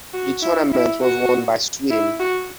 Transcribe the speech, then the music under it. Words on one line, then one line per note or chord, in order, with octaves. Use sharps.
The tournament was won by Sweden.
F#4
E4
E4
F#4
E4
F#4